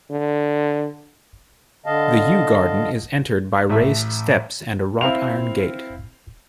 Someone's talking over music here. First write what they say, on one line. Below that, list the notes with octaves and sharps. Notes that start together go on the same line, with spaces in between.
The Yew Garden is entered by raised steps and a wrought-iron gate.
D3
D3 D#5 F5 A5
A1 A2 A3 E5
C4 E4 F5 F7